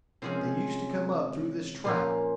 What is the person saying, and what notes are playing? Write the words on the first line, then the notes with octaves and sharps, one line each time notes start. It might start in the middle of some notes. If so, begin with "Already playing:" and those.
They used to come up through this trap.
C3 F3 G#3 C#4 C5
A#2 F3 A#3 C#4 C5